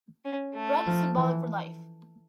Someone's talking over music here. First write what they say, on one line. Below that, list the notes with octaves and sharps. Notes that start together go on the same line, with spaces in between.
Bread is symbolic for life.
C#4
A3
F3
E3